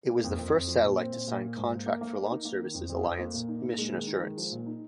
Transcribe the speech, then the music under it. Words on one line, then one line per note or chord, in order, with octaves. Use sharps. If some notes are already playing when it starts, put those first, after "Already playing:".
It was the first satellite to sign contract for Launch Services Alliance mission assurance.
A#3
F2
F2
F2
F3
A#2
C4
A#2
A#2
A#3
G#2
A#3
A#3
A#3
A#3
D#4
A#3
D#3
F2
F2
F2
A#3
A#2
D#4
A#2
G#3
D#3
D#3
G#3
F3
A#2
D#4